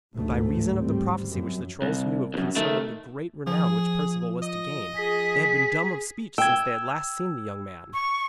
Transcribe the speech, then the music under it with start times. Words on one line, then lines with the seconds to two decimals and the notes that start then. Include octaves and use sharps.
But by reason of the prophecy which the trolls knew of concerning the great renown which Perceval was to gain, they had been dumb of speech since they had last seen the young man.
0.17 A1 D2 G#2 A3
0.77 G#1 G3 C4
1.30 F#2
1.82 C2
2.34 C2 F#2
2.56 D#3 A3
3.47 F3 G#4
4.42 D#5
4.97 G#4 B6
6.38 G5 E6 G#6
7.94 C#6